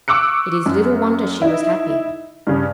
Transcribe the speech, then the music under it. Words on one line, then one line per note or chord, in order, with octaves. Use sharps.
It is little wonder she was happy.
C#6 D6 E6 F#6 C#7
F#2
D#4 E4
G2 C#3